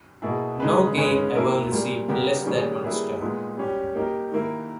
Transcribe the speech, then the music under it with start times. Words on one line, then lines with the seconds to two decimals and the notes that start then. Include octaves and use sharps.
No game ever received less than one star.
0.22 B2 A#3 E4 G#4
0.60 C#3 G#3 D#4 G#4 B4
0.96 C#3 G#3 C#4 G#4 B4
1.34 A#3 E4 A#4
1.71 A#2 G3 A#3
2.08 C#3 G3 B3 G4 A#4
2.45 D#3 G3 C#4 G#4
2.84 G3 A#3 E4 G#4 B4
3.20 A#2 G#3 B3 D#4
3.57 G3 C#4 G4
3.95 A#3 D#4 G4 A#4
4.32 D#3 A#3 E4 A#4